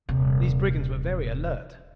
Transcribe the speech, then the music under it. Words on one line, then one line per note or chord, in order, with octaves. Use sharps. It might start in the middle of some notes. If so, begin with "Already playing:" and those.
These brigands were very alert.
D#1 C3